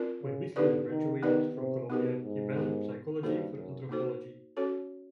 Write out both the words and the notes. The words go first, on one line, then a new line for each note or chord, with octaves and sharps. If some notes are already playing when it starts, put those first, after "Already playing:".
When Wissler graduated from Columbia he abandoned psychology for anthropology.
Already playing: C4 F4 A#4 D5
C#3
D3 B3 D#4 G4 B4 D5
D#3
D#3 B3 D#4 G4 B4 D5
C3
B2 B3 D#4 G4 A#4
G#2
B3 D#4 G4 A#4
G2 A#3 D#4 F#4 A4 C5
F#2
A#3 D#4 F#4 A4 C5
C#4 F#4 A4 C#5